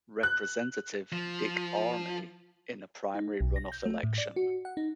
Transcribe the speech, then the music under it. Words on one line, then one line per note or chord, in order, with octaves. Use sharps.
Representative Dick Armey, in a primary runoff election.
F#6
F3
D#4
B1
A#6
G6
A3
A2
D5
F#4
F#5
D#4